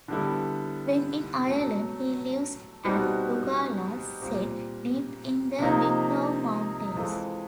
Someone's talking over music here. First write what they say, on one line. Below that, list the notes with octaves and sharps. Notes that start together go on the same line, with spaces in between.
When in Ireland, he lives at Luggala set deep in the Wicklow Mountains.
D3 G3 B3 E4 A4
B2 F#3 A3
B2 G3 C4 D#4 F#4
A#2 G3 C4
C3 F3 A#3 D#4
E3 G#3 C4 F4 A4